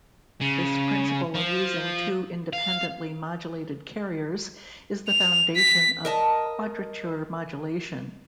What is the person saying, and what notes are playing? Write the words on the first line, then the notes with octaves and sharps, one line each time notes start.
This principle of using two independently modulated carriers is the foundation of quadrature modulation.
C#3
F3
F5
F7
B6
A#4 D#5 A5